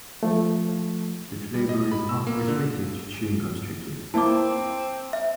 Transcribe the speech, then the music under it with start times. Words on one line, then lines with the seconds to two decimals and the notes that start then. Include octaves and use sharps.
The flavour is not restricted to chewing gums strictly.
0.23 F3 A3
1.54 G3
1.69 D#5
1.92 B5
2.09 E6
2.27 A#3
2.48 D3
4.14 A#3 C4 E4 A5 D6
5.13 E5